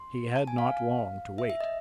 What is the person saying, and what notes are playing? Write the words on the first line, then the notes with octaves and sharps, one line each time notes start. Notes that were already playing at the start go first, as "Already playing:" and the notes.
He had not long to wait.
Already playing: C6
A5
G#5
F5
E5
E5
D#5